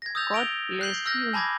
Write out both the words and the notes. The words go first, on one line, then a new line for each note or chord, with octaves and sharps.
God bless you.
G#6 A#6
D#6 E6 G6 A6 F7
A#6 D7 F7 G7
F#6 G6 C7 F#7 G7
E6 F6 G6 A#6
G#5 A5 B5 D6 G#6 A#6